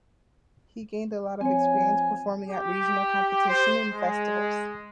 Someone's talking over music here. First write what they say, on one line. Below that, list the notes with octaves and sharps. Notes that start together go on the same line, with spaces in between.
He gained a lot of experience performing at regional competitions and festivals.
F3 C4 C#5 G#5
G4
C5
G#3